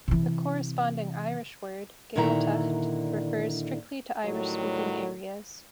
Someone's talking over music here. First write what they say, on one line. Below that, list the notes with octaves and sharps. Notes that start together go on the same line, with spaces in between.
The corresponding Irish word "Gaeltacht" refers strictly to Irish-speaking areas.
C3 E3
A#2 D3 D#3 E4 A#5
A2 D3 D#3 F#3 G3